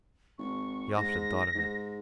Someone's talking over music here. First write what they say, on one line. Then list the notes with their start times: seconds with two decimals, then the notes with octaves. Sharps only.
He often thought of it.
0.38 G#1 C#6
0.97 G#2 A#6
1.54 G#2